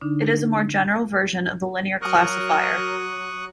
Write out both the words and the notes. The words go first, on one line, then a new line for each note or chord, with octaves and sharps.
It is a more general version of the linear classifier.
D3 D4 D#4
F#3 A#4 C#6 D#6 F#6